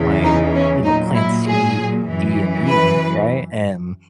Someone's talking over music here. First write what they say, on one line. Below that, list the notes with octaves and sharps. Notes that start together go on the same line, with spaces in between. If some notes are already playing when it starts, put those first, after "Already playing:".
my, you know, plan C, D, and E, right? And,
Already playing: E2 C#3 E3
D#4
C#4
A#2 F#3 D#4
E4
G#4
F#2 E3
B4